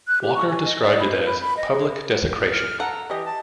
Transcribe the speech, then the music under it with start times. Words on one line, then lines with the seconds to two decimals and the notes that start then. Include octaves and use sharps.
Walker described it as "public desecration".
0.08 F#6
0.22 G4
0.35 C#6
0.50 G#5
0.65 D#5
0.83 D5
1.00 B5
1.12 B4
1.27 B5
1.41 B5
1.57 D#5
1.73 G#4
2.52 F6
2.80 A4 F#5 A#5
3.10 E3 G4 D#5
3.25 A5